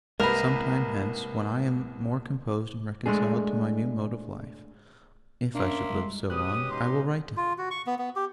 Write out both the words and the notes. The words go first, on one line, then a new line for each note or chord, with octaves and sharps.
Some time hence, when I am more composed and reconciled to my new mode of life, if I should live so long, I will write to him.
C2 G#3 A#3 A#4 B4
G#3 A3 D4 G#4
A#3 C#4 D4 E5 C6
G3 G#3
B2 C#4 G4 B4 D#6 F#6
D#4 C6
F4
F#4
C#6
B3
B3
G4